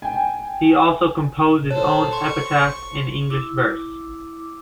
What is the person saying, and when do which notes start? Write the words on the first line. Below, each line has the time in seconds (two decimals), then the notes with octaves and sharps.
He also composed his own epitaph in English verse.
0.02 G5 G#5
1.71 A4 C5 C#5
2.13 C6 C#6
3.30 E4 D6 E6